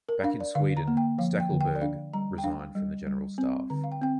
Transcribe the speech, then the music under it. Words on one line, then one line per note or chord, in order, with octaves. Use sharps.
Back in Sweden Stackelberg resigned from the General Staff.
A#4
D4 F5
D5
D3 F5
A#5
A#3
G5
F3 F5
G5
D3
G5
D5
D4 F5
G3 A#5
G5
D4 F5
G3
G3
C4
D3 A#5
F5
G5
C4 G5